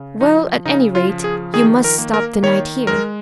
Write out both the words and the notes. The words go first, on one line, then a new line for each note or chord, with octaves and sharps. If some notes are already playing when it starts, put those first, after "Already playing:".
"Well, at any rate, you must stop the night here."
Already playing: C#3
F3 D#4
C#3 D#4
F4
F3
G#4
D#3 G#4
A#4
A#3
A#4
D#3 C#5
G#3 A#4